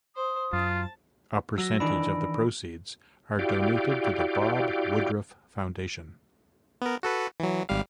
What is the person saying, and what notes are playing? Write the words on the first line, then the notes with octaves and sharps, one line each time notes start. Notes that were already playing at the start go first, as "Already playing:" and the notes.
A percentage of the proceeds are donated to the Bob Woodruff Foundation.
C5 D#6
F#2 F4 A5
F#3 E6 A#6
D#3 E3 D4 B5 D7
E4 F#4 G4 D5 F5 G5
B3 A#4
F#4 A4 B4
E3 F#3
G#1 G3 F5